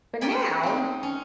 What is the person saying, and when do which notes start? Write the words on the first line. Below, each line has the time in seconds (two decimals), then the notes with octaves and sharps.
but now,
0.21 A#4 C#5 D5 G5 G#5 B5
0.63 C4 D#4
1.03 C#4